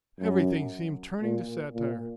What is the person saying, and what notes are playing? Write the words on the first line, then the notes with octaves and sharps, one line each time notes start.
Everything seemed turning to satire.
F#2
A#2
A#2